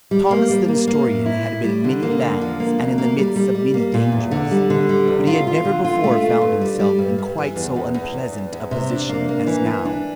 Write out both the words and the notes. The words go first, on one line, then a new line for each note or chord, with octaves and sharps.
Thomas the Nestorian had been in many lands and in the midst of many dangers, but he had never before found himself in quite so unpleasant a position as now.
G3
A#3
G3
A#3
A#3
A2
E4
A2
G3
D3
A#3
D3
F3
A#3
D2
A#3
G3
G3
G3
A#3
A#2
E2
D3
G3
D3
G3
E2
F4
F4
D3
F4
A3
F4
G2
G3
G3
G2
G2
E3
E2
E2
E2
E2
E2
E2
C3
D4
A#3
A#3
E3
E3
D4